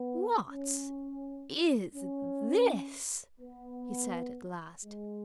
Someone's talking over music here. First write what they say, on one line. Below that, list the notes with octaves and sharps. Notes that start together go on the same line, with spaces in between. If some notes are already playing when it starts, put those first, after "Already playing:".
'What--is--this?' he said at last.
Already playing: B3
C#4
C#4
B3
G#3